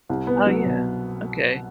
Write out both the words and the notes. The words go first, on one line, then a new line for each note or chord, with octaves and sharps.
Uh, yeah, okay.
C2
B3
F#3
B2